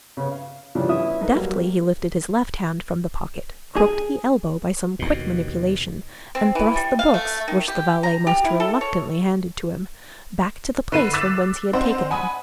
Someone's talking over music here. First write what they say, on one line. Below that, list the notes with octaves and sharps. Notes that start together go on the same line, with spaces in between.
Deftly he lifted his left hand from the pocket, crooked the elbow by some quick manipulation, and thrust the books, which the valet most reluctantly handed to him, back to the place from whence he had taken them.
C#3 B3
F5
C#3 E3 F3 G3 D4
B3 C#4 E4 E5 D#6
D#4 A4 B4
F#3 G3 A#3
G#4
D#2 B2
C4
E3
G3
F5
A3
D#3
G4
A#5
G4
E4
A4
C#5
D3 B4 B5 C7 D#7
D6 E6 F#6 A6 B6 E7
C4 D4 D#4 C5 F#5
F#5 G#5 B5 D#6